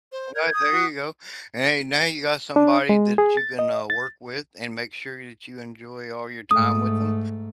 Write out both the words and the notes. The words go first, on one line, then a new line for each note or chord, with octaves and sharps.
Alright, there you go. And hey, now you got somebody that you can, uh, work with, and make sure that you enjoy all your time with 'em,
C5
A#4 G6 G#6
D#6
F#4
D4
G#3
G#4
A6
D#5
A6
G#2 A3 D#6